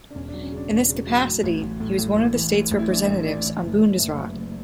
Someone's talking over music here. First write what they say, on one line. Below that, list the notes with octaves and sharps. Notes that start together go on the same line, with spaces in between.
In this capacity, he was one of the state's representatives on the Bundesrat.
D4
E1 C#4
D4
F#3
C#4
C#3 D4
E1 C#4
C#3
F#3
A2
A1
A1
A2
A2
A1
E3
A2
A1
E4
E3 D4
A2
A2 D5
E3
F#1
F#1
F#1 E5
F#2
F#1